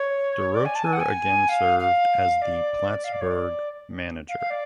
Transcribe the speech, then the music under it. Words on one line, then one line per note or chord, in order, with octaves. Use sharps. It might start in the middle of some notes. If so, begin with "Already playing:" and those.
Durocher again served as the Plattsburgh manager.
Already playing: C#5
D5
G#5
A5
G#5
F#5
G#5
F5
F5
D5
F5
D5
C#5
D5
F5
F5
D5